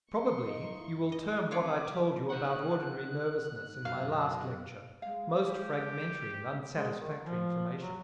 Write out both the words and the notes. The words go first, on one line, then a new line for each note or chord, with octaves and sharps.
Probably you will term what I told you about ordinary nervousness in my last lecture most fragmentary and unsatisfactory information.
G3 E5 C6 C#6
F#2 D#4 F4
E4
D#5
C3 G3 B3 F4 B4 C#5 D5 D6
D#4 F#5 F#6
F#2 B2 F5
G#3 F5
G4
G#3
D#3
F3
F#3